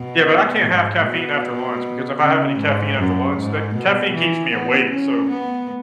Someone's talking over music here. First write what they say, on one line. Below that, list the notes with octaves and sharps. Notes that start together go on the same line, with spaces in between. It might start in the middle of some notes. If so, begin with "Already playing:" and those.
Yeah, but I can't have caffeine after lunch because if I have any caffeine after lunch, the caffeine keeps me awake. So,
Already playing: B2
G#2
B2
C#3
G#2
F#2
G#2
B2
E3
B3
C#4
B3